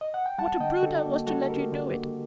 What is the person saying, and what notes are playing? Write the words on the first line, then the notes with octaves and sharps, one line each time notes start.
What a brute I was to let you do it!
D#5
F#5
G5
G3 F#5 A5
D3 D#5 G5
D3 F#4 A4
A#3
G3 F#4 A4
D3 G4 A#4
D3
A#3